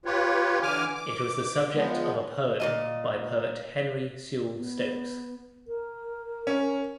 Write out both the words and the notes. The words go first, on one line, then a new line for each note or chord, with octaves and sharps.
It was the subject of a poem by poet Henry Sewell Stokes.
F4 G4 B4 C#5
D3 E3 G#5 D6 F6
D6
F3 G#3 B3
A#2 E3 D#5
B3
A#4
C#4